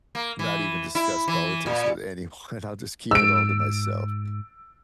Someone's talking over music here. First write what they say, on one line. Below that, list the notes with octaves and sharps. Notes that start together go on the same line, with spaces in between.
not even discuss politics with anyone. I'll just keep it all to myself.
A#3
E3
E4
E3
A#2
G#2 E6 D7